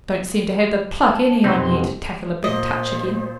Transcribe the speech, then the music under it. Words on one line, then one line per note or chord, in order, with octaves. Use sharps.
'Don't seem to have the pluck, any on ye, to tackle a big touch again.
A5
C2 F2 B2 C4 D#4 B4 C6
A#2 C5 D#5